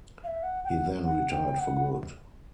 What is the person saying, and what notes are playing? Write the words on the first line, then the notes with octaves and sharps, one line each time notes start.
He then retired for good.
F5
E5
F#5
G5
F#5
F#5
G5
F#5